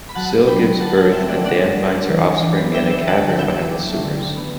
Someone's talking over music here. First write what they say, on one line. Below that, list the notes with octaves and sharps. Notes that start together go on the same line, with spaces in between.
Sil gives birth and Dan finds her offspring in a cavern behind the sewers.
B5
F#3 F#5 A5
F#3
D4 G5 B5
A3
D3 F#5 A5
D3 F#5 A5
C4 E5 G5
A3 D5 F#5
D4 D5 F#5
G3
G3
D4
E3
E3
D4
B3
D4 E5 G5
D3 E5 G5
B3 F#5 A5
F#3
F#3 E5 G5
F#3
D4
A3
D3
D3
B3